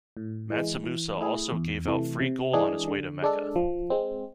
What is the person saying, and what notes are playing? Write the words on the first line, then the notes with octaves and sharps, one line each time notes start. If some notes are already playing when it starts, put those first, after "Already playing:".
Mansa Musa also gave out free gold on his way to Mecca.
A2
E3 G#3
E3
A3 E4 G#4
E2
C3 E3 A3
C3
E3 G#3 D4 G#4
D3
G#3 D4 A4
F3
G#3 C4